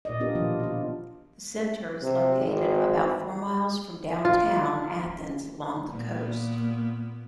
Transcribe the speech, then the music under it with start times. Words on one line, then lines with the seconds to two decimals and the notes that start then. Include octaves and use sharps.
The center is located about four miles from downtown Athens along the coast.
0.05 A#2 D5 D#5
0.20 B3 D4 F4 G4 A#4
0.35 B2 D#3 F3 F4
0.60 D4 F4
2.03 C3
2.38 G#1
4.25 F4
5.90 A#2 A#3 B3